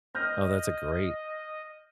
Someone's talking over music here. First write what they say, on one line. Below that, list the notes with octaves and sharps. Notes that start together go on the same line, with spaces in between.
Oh, that's a great
D#5 F6 G6 A#6